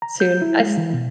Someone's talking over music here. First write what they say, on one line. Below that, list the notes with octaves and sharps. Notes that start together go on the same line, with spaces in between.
soon, I s
A#5
G6
E4
G#3
E3
B2